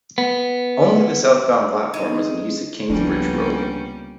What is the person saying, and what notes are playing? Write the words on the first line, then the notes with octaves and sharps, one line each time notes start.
Only the southbound platform was in use at Kingsbridge Road.
B3
G#3 D#4
C#2 C3 F3 G3 A#3 B3 C#4 D4